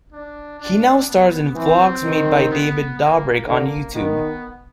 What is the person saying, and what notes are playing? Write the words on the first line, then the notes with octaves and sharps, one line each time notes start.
He now stars in vlogs made by David Dobrik on YouTube.
D4
D4
B3
E3 C4
D#3
B3
A#3
D3 A#3
D#3 B3